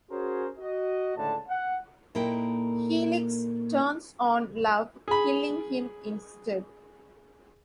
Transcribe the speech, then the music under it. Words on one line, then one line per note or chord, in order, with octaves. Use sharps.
Helix turns on Love, killing him instead.
C#4 F#4 G#4 A#4 C5 C#5
F#4 D#5
C#2 A2 D3 A5
F#5
A#2 A#3 D#4 E4 A4 G5
G#4 B5